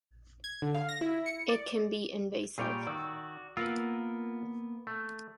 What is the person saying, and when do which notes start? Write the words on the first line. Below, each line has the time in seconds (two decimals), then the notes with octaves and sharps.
It can be invasive.
0.44 G#6
0.62 D3
0.74 F5
0.89 A#6
1.01 E4
1.26 C#7
1.49 D5
2.58 A#2 G3 G#4 C#5 G5
2.87 D#3 F#4 D5 E6
3.57 A#3 B3 F4 A#4 F#5 E6
4.87 A3